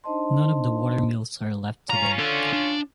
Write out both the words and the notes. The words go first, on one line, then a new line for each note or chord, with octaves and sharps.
None of the watermills are left today.
D4 D#4 C5 D#5 A5 C6
C#4 F4 A#5
D4 A4
D4